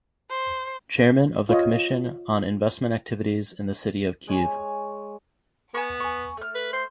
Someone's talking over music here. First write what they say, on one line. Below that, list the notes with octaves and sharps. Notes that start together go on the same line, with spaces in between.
Chairman of the Commission on Investment Activities in the City of Kyiv.
C5
F4 C#5 D#5
G#3 C#5 G#5
B3 G#5 C#6
G#5 C#6
A3 F6
B4
C5